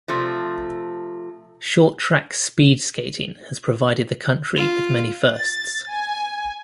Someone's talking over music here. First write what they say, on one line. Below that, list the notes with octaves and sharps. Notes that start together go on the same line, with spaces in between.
Short track speed skating has provided the country with many firsts.
C3 F3 A3
F4
A6
G#5